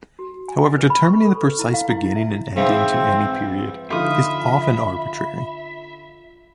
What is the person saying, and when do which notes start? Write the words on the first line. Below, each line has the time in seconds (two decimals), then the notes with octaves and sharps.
However, determining the precise beginning and ending to any "period" is often arbitrary.
0.19 F#4
0.48 G#5
0.64 D#5
0.78 B4
0.90 B5
1.05 C#6
1.25 A4
1.41 B4
1.59 E4
1.74 F5
1.90 E4
2.16 E5
2.56 G#2 E3 F3 C4
3.90 D3 F3 D#4 F4 E5 B5 D#6